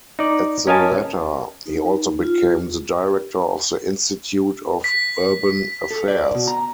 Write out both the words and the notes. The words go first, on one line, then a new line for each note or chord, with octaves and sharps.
At the latter, he also became the director of the Institute of Urban Affairs.
D#4 D5
C#4 A#4 D#5 F5 G#5 A5
D#4
F4
B6
A4
D5
B2
A#5